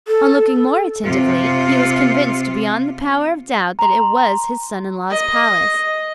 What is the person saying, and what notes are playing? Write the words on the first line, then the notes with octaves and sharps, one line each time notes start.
On looking more attentively, he was convinced beyond the power of doubt that it was his son-in-law's palace.
A4
C3 F4
A#5 C6
D#5